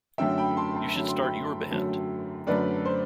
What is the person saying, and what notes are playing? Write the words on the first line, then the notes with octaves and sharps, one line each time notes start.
You should start your band.
F#2 D3 F#3 A3 E5 G5
G5 B5
A5 C6
A5 C6
F#2 D3 F#3 A3 B5
C6
G5 B5
F#2 D3 F#3 A3
F#2 D3 F#3 A3 B4 D5
C5